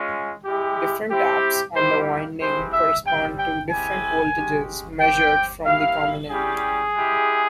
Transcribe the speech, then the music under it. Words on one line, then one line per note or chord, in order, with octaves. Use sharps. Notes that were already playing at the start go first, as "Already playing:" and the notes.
Different taps on the winding correspond to different voltages, measured from the common end.
Already playing: G#3 C#4 F4
G#3 E4 G4
C4 E4 G4
G3 A#3 E4 G4 C5
G#3 C4 E4 G4 C5
E5
G3 C4 G4 G5
G5
G#3 C4 E4 G4 G#5
G#3 C#4 G4
C4 G4 G5
A#3 E4 G4 F5
G3 C#4 E4 G4 G#4
G#3 E4 G4